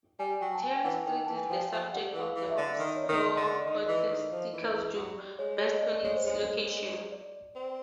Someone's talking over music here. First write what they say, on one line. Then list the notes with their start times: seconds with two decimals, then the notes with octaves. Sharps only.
Turl Street is the subject of an obscure ecclesiastical joke, based on its location.
0.19 G3 G#5
0.41 F#3 G5
0.55 A5
0.63 G#5
0.76 G5
0.84 E3 F#5
1.06 D#3 G5
1.26 E3 A5
1.37 G#5
1.50 F3 G5
1.72 F3
1.93 G3 F#5
2.14 E3 F#5
2.21 F5
2.36 E3
2.50 E5
2.57 D3
2.79 D#3 D#5
2.87 D5
2.96 C#5
3.04 D5
3.09 D#3
3.23 D#5
3.37 D3
3.65 D#3 D#5
3.76 D5
3.86 E3 D#5
4.09 D#3
4.31 F3
4.53 E3
4.74 E3
4.96 F#3
5.17 G3
5.39 G#3 C#5
5.57 G3
5.61 G#3 C#5
5.73 D#5
5.82 G#3 D5
6.04 G#3 C#5
6.16 C5
6.26 G#3 C#5
6.69 G#3
7.12 D5
7.55 C4